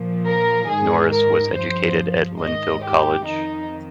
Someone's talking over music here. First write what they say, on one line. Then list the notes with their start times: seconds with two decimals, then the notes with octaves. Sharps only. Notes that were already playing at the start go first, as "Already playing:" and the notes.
Norris was educated at Lynfield College.
Already playing: A#2 F3
0.27 A#4
0.70 G#2 D#3 G#4
1.12 A#4
1.55 G2 F3 C5
2.41 G#2 D#3 D#5
2.83 G4
3.26 F2 D#3 D#4